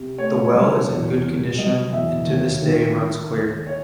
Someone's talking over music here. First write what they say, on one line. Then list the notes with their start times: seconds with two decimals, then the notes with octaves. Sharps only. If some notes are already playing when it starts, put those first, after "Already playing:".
The well is in good condition and to this day runs clear.
Already playing: C3
0.18 A3 C#5
0.54 F#3
0.88 E2
1.22 C3
1.58 F#3 D#5
1.93 E2 E5
2.27 D#2
2.62 D#3
2.97 D#3
3.32 D#2
3.67 C#5